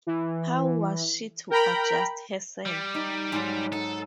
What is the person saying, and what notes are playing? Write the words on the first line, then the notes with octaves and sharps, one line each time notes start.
How was she to adjust herself?
E3
A#4 G5 A#5 B5
G3
D#4
G#2 F#3
D#4 A4